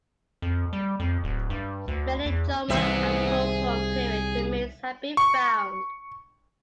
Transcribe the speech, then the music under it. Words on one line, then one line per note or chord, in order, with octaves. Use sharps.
Many Jomon and Kofun period remains have been found.
F2
G3
F2
D1
G2
D2
E2
C2 D#3 B3 G#4 C5 E5
G#4
C#6